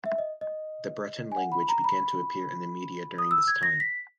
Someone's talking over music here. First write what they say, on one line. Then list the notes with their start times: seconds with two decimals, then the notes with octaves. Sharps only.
The Breton language began to appear in the media during this time.
0.06 E5
0.18 D#5
0.41 D#5
1.32 G#5
1.37 F#5
1.52 B5
1.69 A#5
1.84 B5
3.18 D#6
3.31 E6
3.48 G#6
3.63 A#6
3.80 B6